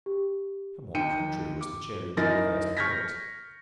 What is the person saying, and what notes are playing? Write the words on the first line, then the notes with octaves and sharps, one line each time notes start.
From what country was the Cherry Tree first brought?
G4
D#2 D#3 G5 C#7 D#7
D6
F#2 D#4 E4 A#4 A6 A#6
C#6 F6 G6 G#6 A#6 B6